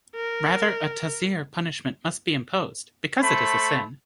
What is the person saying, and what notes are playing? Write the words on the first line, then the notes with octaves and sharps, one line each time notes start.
Rather a ta'zeer punishment must be imposed, because it is a sin..'.
A#4
A3 C5 A5 B5 C#6